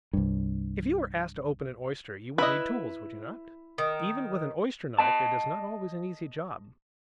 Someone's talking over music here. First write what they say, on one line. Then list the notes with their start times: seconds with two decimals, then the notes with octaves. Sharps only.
If you were asked to open an oyster you would need tools, would you not? Even with an oyster-knife it is not always an easy job.
0.13 C2 G2
2.38 E4 B4 D#5 E5
3.78 D#3
4.99 D#5 A5